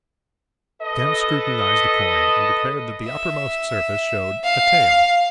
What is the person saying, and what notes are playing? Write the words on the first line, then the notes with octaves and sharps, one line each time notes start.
Jem scrutinized the coin, and declared that the uppermost surface showed a tail.
A4 B4 D#5
E5
F5